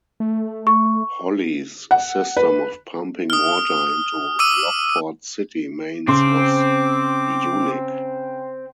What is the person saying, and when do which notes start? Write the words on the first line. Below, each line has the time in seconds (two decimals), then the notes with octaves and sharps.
Holly's system of pumping water into Lockport's city mains was unique.
0.20 A3
0.67 C#6
1.91 F#5
2.37 B4
3.30 D#6 F6
4.39 D6 E6 D#7
6.08 C#3 C4 C6 D6